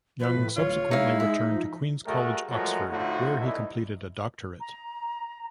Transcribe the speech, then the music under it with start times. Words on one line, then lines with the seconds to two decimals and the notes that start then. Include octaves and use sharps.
Young subsequently returned to Queen's College, Oxford, where he completed a doctorate.
0.20 F3 B4
0.36 A2
0.56 D1 F4 C#5
0.91 G#3 D#4 E4 F5
1.20 D#4 E5
1.51 F3
2.06 G2 A3 F#4 G#4 A#4
2.49 F3 F#3 G#3 A3 F#4 A#4
2.89 A2 D3 F3 A3 D#4 F#4
3.39 C2 D#4 E4
4.61 A#5